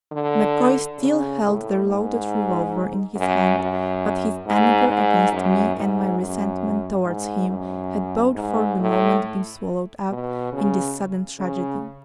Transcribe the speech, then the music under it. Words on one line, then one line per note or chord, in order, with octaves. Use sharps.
MacCoy still held the loaded revolver in his hand, but his anger against me and my resentment towards him had both for the moment been swallowed up in this sudden tragedy.
D3
C#3
A2
G#2
F#2
F#2
G#2
G#2
F#2
G#2
F#2
G#2
F#2
G#2
A2
B2
C#3
C#3